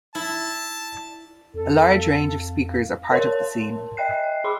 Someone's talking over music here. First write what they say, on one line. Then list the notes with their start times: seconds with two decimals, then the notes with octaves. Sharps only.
A large range of speakers are part of the scene.
0.15 E4 A5
1.54 F2 A4
3.11 A#4 C#5 A5 C6
3.97 D#5 E5 G5 F#6 C7
4.44 G#4 B5 C6 D6